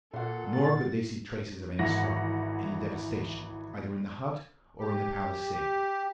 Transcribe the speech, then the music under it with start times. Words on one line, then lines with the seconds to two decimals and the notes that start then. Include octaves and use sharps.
Nor could they see traces of any struggle, any devastation, either in the hut, or in the palisade.
0.13 A#2 A4 F#5 C6
0.55 A6
1.79 G#1 E3 F#5 A#6
4.79 G4
5.53 G4